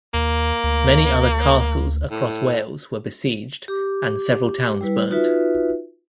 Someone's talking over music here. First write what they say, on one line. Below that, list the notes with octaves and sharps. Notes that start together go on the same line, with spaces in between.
Many other castles across Wales were besieged and several towns burnt.
D#2 A#3
D2
A2
G4 D6
G3 E4 B4
D#4 F4 F#4 B4 E5